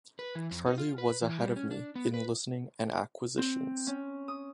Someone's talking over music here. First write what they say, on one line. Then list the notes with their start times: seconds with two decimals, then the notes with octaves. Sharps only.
Charlie was ahead of me in listening and acquisitions.
0.19 B4
0.35 E3
0.51 F2
0.66 D#4
0.78 F4
0.98 B4
1.22 E3
1.39 G3
1.56 C#4
1.71 D4
1.95 B3
2.14 B4
3.38 C4
3.87 C#4
4.28 D#6